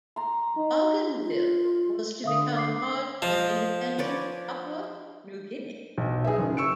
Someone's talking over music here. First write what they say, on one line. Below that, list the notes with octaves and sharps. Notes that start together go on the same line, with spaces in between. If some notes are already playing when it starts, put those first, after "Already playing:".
Bougainville was to become part of an independent Papua New Guinea.
A#5 C6
D#4
F4
D3 E5 F5 D#6
D6 C7
F3 D#5
B4 C#5 D5
B1
D#4 G#4 B4 E5
F#1 F#2
C#6 E6 C#7 D7